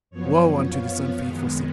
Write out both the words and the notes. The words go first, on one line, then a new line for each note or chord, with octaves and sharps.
Woe unto this unfaithful city!
F#2 F3 B3 C#5
F5
F5
F#2 D#3 G#3 B3